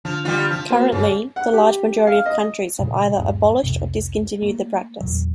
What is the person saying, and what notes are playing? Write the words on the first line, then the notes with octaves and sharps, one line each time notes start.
Currently, the large majority of countries have either abolished or discontinued the practice.
D3 F3 F6
G3 B3 F4
F3
A#3 F#4 C5
G2 C#3
F#5
G4
F5
D#5
A#2 C#3 F3 G#3
D#1 G2 G#3 B3
C2 F2 C3
A3 A#3
E2 A#2 F#3